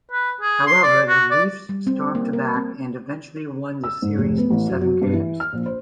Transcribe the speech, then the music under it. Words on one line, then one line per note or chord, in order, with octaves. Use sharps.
However the Leafs stormed back and eventually won the series in seven games.
B4
G#4
C6
D5
F#4
D5
G3
C4
A#3
A#4
C4
E6
G#2
F1
B3
A1
F#2
F#3
G2
E3
F6
A#1
C5